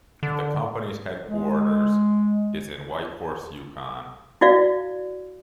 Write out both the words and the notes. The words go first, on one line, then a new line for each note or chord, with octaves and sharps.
The company's headquarters is in Whitehorse, Yukon.
D3
G#3
E4 F#4 D5 F5